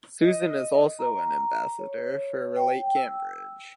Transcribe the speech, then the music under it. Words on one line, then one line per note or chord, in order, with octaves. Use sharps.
Susan is also an Ambassador for Relate Cambridge.
D#5
A#5
C#5
G5
E6